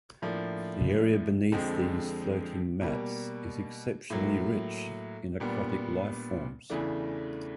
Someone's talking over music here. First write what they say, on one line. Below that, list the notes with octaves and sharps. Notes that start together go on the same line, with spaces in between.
The area beneath these floating mats is exceptionally rich in aquatic lifeforms.
A2 F3 A#3 D4
F2 D3 F3 G#3 C4
B2 G3 A#3
A2 F#3 A#3
A#2 G3 B3 D4
E2 C#3 E3 A3 D4